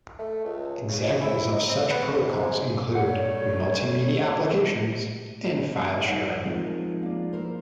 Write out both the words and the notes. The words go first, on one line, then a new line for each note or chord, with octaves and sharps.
Examples of such protocols include multimedia applications and file sharing.
A3
C#2
C#3
E4
D#4
C4
B3
C3
G#2
G3 A3 C#5 F#5
D#4 C#5 F#5 G#5
F3 G#3 C4 A#4
A#3 D5
E4 A#4 C5